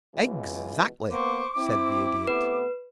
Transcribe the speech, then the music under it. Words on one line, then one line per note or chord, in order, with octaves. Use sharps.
"Exactly," said the Idiot.
C#2 B2 E3
A#3 B3 C5 C#6 D6
C4 E4
C3 A3 B3 B4